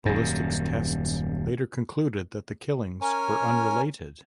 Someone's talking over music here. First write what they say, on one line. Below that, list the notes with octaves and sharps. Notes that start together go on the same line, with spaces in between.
Ballistics tests later concluded that the killings were unrelated.
D#1 F#2
C#4 A#4 C#5 G#5